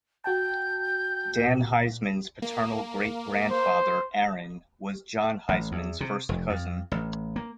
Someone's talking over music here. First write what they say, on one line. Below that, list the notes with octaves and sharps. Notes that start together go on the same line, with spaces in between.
Dan Heisman's paternal great-grandfather, Aaron, was John Heisman's first cousin.
F#4 G5 A5 G6
A#2
A#3
C5
A1
E2
C3
F1
F2
A1
A#3